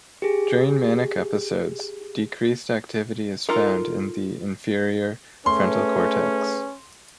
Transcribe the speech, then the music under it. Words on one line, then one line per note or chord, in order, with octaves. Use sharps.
During manic episodes decreased activity is found in the inferior frontal cortex.
G4 G#4
D#4 F4 A4 A#4
A3 C#4 G#4 B4 C6